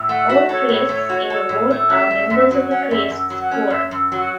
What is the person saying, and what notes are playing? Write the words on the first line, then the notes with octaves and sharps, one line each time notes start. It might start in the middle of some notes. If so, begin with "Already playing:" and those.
All priests in a ward are members of a priests quourm.
Already playing: A2
A3 F#5
F#4 E5
A4 C#5
A2
A3
F#4
A4
A2
A3
C#4 E5
F#2
F#2
F#3
C#4 F#5
C#5
F#2 E5
F#2
F#3
F#5
C#4
F#2 E5
F#2
F#3 F#4